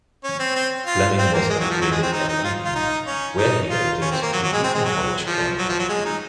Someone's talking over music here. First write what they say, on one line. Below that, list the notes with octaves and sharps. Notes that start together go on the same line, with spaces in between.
Fleming was educated at Eton, where he edited the "Eton College Chronicle".
C#4
C4
C4
F4
C4
A#3
G#3
F#3
F3
F#3
G#3
C4
D#4
D#4
F4
F4
D#4
C#4
D#4
F4
C#4
C4
A#3
F#3
F#3
G#3
C4
G#3
F#3
F3
F#3
F3
F#3
G#3
D#4